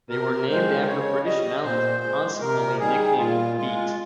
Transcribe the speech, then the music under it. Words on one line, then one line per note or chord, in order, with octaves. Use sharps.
They were named after British mountains, and consequently nicknamed Peaks.
C3 A#4
D#3 G#3 C5
C5
C#3 C#5
G3 D#5
A#2 C5
G#3
C3 A#4
D#3 G3 G#4
A#2 F4
G#3 F4